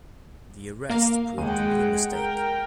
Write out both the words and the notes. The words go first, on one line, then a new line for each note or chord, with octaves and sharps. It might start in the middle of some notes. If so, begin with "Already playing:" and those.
The arrest proved to be a mistake.
A#3 A#4 F5
D#2 G#3 F#5 G5 D#7
A#4 G5